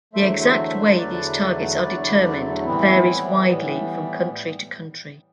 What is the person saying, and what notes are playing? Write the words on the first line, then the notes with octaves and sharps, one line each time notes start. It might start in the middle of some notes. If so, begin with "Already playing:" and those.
The exact way these targets are determined varies widely from country to country.
E2 D3 F#3 A3 C5 E5
C5 E5
C5 E5
B4
C5
E2 D3 F#3 A3 B4 D5
E2 D3 F#3 A3 B4 D5
B4 D5
B4 D5
A2 E3 G3 B3 C4 E4
A2 E3 G3 B3